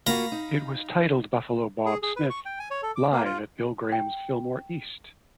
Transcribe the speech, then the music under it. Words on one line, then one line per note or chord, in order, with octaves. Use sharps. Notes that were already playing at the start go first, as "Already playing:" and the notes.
It was titled, "Buffalo Bob Smith Live at Bill Graham's Fillmore East".
A#3 F4 F#4 F5 A#5 B5
D#4
G#4
G#4
B4
C#6
G5
G#5
C#5
A4
D6
A#3
F4
G5